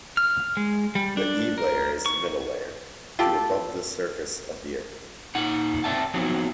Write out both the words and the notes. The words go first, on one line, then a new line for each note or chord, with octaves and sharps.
The E layer is the middle layer, to above the surface of the Earth.
F6
G#3
G3
D4
A#4
C#6
F4 G4 A4
A#2 D#4 F#5
C4 D5 E5 A5
F3 F#3 B3 C4 D#4